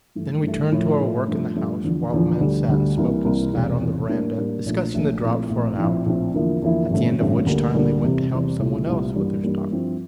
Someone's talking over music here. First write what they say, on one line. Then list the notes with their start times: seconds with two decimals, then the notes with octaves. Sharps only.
Then we turned to our work in the house while the men sat and smoked and spat on the veranda, discussing the drought for an hour, at the end of which time they went to help someone else with their stock.
0.15 G2 E3 A3
0.43 G2 E3 A3
0.72 A2 F3 A3
1.00 A2 F3 A3
1.28 G2 F3 A3
1.56 G2 F3 A3
1.84 E2 D3 F3
2.12 E2 D3 F3
2.40 D2 D3 G3 D4
2.68 D2 D3 G3 D4
2.97 C2 C3 E3 A#3
3.24 C2 C3 E3 A#3
3.53 E1 E2 C3
3.81 E1 E2 C3
4.09 A2 G3 A#3 D4
4.37 A2 G3 A#3 D4
4.65 A#1 A#2 A3 D4
4.94 A#1 A#2 A3 D4
5.21 A#1 A#2 A3 C4 E4
5.50 A#1 A#2 A3 C4 E4
5.77 A#1 A2 F3 C4 E4
6.06 A#1 A2 F3 C4 E4
6.34 E2 D3 F3 A#3 E4
6.62 E2 D3 F3 A#3 E4
6.90 A1 G2 D3 A3 C4
7.18 A1 G2 D3 A3 C4
7.46 D2 D3 G3 A#3 D4
7.74 D2 D3 G3 A#3 D4
8.02 E2 C3 G3 C4
8.31 E2 C3 G3 C4
8.59 C2 A#2 A3 E4
8.87 C2 A#2 A3 E4
9.15 G2 E3 G3 A#3
9.43 G2 E3 G3 A#3
9.71 G2 F3 C4 E4